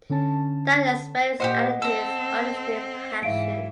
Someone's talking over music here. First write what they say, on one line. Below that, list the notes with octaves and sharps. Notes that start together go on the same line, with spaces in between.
That experience added to his artistic passion.
D3 C#4 A5
A#2 G4 B4 C5 D#5 F#5
C4 A4 A#5
G#2 E3 E5 F5 D7